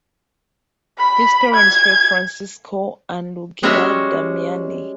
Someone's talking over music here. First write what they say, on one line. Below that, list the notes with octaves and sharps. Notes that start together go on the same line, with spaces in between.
His parents were Francesco and Luigia Damiani.
B5
G#6
G3 G#3 C#4 F#4 C#5 E5